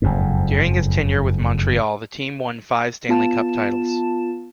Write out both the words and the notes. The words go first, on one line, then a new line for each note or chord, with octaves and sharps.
During his tenure with Montreal the team won five Stanley Cup titles.
F#1 F2 G#2
B3 F4 A5 E7